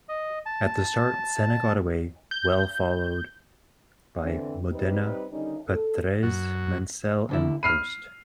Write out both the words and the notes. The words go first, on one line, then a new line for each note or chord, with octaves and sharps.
At the start, Senna got away well followed by Modena, Patrese, Mansell, and Prost.
D#5
A5
G6
D3 E3 C4
G3 C4 D#4 G4 B4
D3 D#3 G3 C#4 D#4
A4
F#2 F#4
D#2 D3 E4
B5 F6 C7 D#7